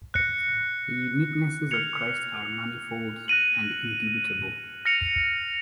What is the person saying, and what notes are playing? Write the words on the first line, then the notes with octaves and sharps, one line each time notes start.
The uniquenesses of Christ are manifold and indubitable.
F#6 A#6 C#7
F6 G#6 C#7 F7
F#6 A#6 D#7 F#7
F6 A#6 C#7 F7